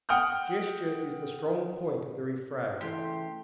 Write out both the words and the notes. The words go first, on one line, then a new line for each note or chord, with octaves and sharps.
Gesture is the strong point of the refrain.
F#5 G5 D#6 F6 G6
C#3 E3 A3 G4 C6